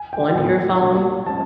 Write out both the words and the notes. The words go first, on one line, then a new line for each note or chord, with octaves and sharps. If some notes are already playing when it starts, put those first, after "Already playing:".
on your phone,
Already playing: G#5
G5
A2 F3 G#3 B3 E4 G#5
A#2 G3 A#3 D4
F3 G#3 C#4 A5